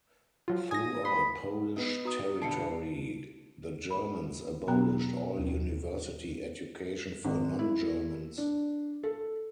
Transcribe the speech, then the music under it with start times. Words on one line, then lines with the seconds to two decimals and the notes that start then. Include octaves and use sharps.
Throughout Polish territory the Germans abolished all university education for non-Germans.
0.48 F3 F#3 F4
0.71 G#5 D#6 A#6
1.05 B5 C6
1.76 B3 D#4
2.05 F#4 A#5 D#6
2.42 B2 D3 G3 A5 C7 C#7
3.90 B5
4.68 B2 F#3 B3 G5 A#5 F#6
5.38 D#2
7.25 G#1
7.59 E4
8.38 D4
9.03 A4